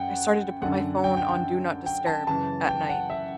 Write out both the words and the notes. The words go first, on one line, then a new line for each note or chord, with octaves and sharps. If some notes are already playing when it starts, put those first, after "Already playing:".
I started to put my phone on "do not disturb" at night.
Already playing: F#2 F#5 G5
F#2 D3 F#5
G5
G5
G5
G5
A5
F#2 C#3 E3 A5
G5
F#5
E5